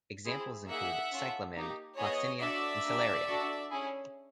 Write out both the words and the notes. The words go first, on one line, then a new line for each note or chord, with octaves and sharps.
Examples include cyclamen, gloxinia and celeriac.
C4 E4 G#4
A#3 D#4 G#4 E5 F#5
C#4 F4 A4
A#3 D#4 G4
B3 E4 G#4 C#5 D#5
D4 F#4 A4 D5 E5
A#3 D4 G4
D4 F#4 A4
C#4 E4 G#4